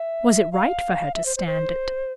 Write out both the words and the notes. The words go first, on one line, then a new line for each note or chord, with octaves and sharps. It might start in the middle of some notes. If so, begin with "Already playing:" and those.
Was it right for her to stand it?
Already playing: E5
F5
E5
C5
C5
C5